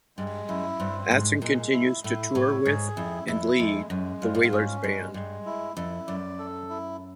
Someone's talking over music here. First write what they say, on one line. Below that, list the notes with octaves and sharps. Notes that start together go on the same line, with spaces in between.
Aston continues to tour with and lead The Wailers Band.
G2 G#3
F#2 E4
G2 C4
G#2 G#3
A#2 G#3
E4
A2 E4
A2 C#5
G#2 G#4
F2 E4
F2 E4
F2 G#3
F#2 G#3
G2 F4
A#2
A2
G#2 C#4
G2 G#3
G2 G#3
E4
F2 E4
F#2 D5
A4
E4